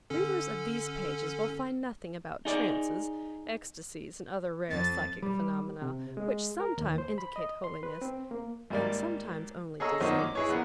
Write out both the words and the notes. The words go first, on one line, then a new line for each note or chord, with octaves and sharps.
Readers of these pages will find nothing about trances, Ecstasies and other rare psychic phenomena; which sometimes indicate holiness, and sometimes only disease.
D3 C#4 A4
D#4 G#4 D5
F2 A6
G3
C3
G#3
A#4
D#2
C5
B5
D#5
C6
B4
C4
A#3
G#1 G3 A#3 D5
G#4 A4 C#5 D#5 A#5 E6
F#2 A#2 D#3 C5 C#5 D#5
D6
E4 G#4 B4 C#5 D#5
A#1 B3 A#4